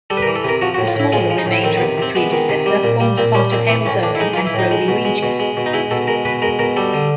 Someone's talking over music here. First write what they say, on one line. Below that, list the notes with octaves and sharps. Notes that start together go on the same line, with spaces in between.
The smaller remainder of the predecessor forms part of Halesowen and Rowley Regis.
G3 A4
B4
A#4
E3
A4
C3 A#4
F3 F#4
F#4
A2
F4
A2 E4
G#3 F4
F3
D#4
A2 E4
D#3 C4
B3
C3
C3 C4
G#3 B3
D#3
C3
G3
A#2
G3
A#2 C4
G3 C#4
A#2 C4
E3 C4
A2 C#4
A2 D4
E4
G#3 D#4
F4
E3
E4
A2 D#4
G#3
B2
G#3
B2
G#3
B2
D#4
G#3 E4
B2 A4
G#3 A#4
B2 B4
G#3 A#4
B2 A#4
G3 A4
D3